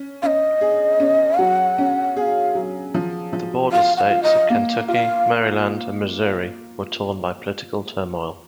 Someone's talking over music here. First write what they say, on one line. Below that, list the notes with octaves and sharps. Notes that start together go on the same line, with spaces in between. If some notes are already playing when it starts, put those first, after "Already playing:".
The Border States of Kentucky, Maryland, and Missouri were torn by political turmoil.
Already playing: C#4
C#4 D#5 F5
G#4
C#4
F#3 F#5
C#4
G#4 F5 F#5
F#3
F3
F3
F4 F5
F#5
F5
F4
D#5
A#3 F5
F4 F5